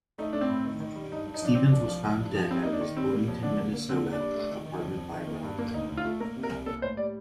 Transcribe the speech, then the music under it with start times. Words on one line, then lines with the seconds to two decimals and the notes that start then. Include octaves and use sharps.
Stephens was found dead at his Bloomington, Minnesota apartment by a relative.
0.18 A3 D#4
0.33 A3 D4
0.41 C4
0.49 A2
0.65 D#3
0.80 D#3
0.96 G3
1.12 G2 D#4
1.26 G2
1.34 D#4
1.42 F3 D4
1.55 F3 C4
1.66 D4
1.73 C2
1.88 F3
2.04 F3
2.20 G2
2.35 F3
2.50 G3 C4
2.62 A#3 D#4
2.73 D4
2.81 D#3
2.97 G3 C4
3.12 A#3
3.28 F2
3.42 D3 D4
3.59 A#3
3.73 A#3
3.89 D3 C4
4.04 A#3
4.12 D4
4.20 G3
4.35 A3
4.51 D#3
4.66 D#3
4.81 F2
4.97 F2
5.12 D#3
5.27 A#3
5.43 G2
5.59 A#3
5.74 D2 D#4
5.89 D2
5.97 F4
6.05 A3
6.20 A#3 A#4
6.36 C3
6.43 A#4
6.51 C2
6.66 A#3 A4
6.82 A2 C5
6.97 G3 D5